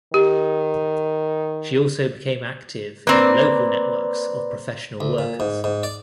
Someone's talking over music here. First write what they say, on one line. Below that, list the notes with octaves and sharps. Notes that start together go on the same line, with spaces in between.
She also became active in local networks of professional workers.
D#3 G4
A#3 C4 B4 D5
D2
A#2
G#2
G#2
D5